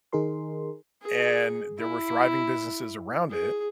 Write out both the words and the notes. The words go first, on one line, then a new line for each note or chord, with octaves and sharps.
and there were thriving businesses around it
D#3 D#4 G#4 A#4 C6
G#4
E4
G#4